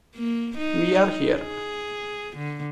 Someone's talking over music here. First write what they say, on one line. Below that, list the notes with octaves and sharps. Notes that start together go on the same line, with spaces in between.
We are here.
A#3
D#4
G#4
D3